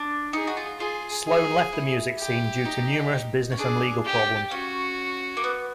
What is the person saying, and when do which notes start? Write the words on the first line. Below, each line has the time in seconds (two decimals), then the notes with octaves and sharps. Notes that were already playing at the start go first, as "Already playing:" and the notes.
Sloan left the music scene due to numerous business and legal problems.
Already playing: D4
0.33 D#4 G#4
0.47 F#4
0.57 F4
0.80 F4 G#4
1.26 G#4
1.73 E4
2.19 G4
2.65 D#4
3.52 C#4
3.58 D4 G#4
4.05 G4
4.51 C#4 F#4
5.37 A#3
5.44 B3